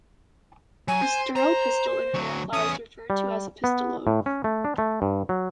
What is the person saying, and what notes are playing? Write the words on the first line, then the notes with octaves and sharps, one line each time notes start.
A sterile pistil in a male flower is referred to as a pistillode.
F#3 G#5
C5
C5 A#5
D2 F#3
E2 C#4 D#6
G3
B3
A2
C#4
A3
D4
A3
G2
F#3